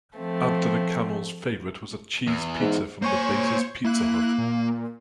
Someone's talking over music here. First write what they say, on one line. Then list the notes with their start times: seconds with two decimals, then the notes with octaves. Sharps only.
Abdullah Kamel's favorite was a cheese pizza from the base's Pizza Hut.
0.17 F3 A3 C4
2.27 E2
2.60 G#2
3.02 A#3 C5 C#5 G#5 C#6
3.84 A#3 E4 F#6
4.38 A#2